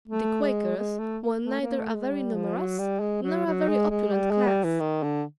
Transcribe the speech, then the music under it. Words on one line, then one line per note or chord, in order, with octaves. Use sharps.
The Quakers were neither a very numerous nor a very opulent class.
A3
G#3
G#3
A3
A3
A#3
A3
G#3
G3
F3
F#3
G3
G#3
F#3
F#3
G#3
G#3
G3
G#3
G3
E3
D#3
D3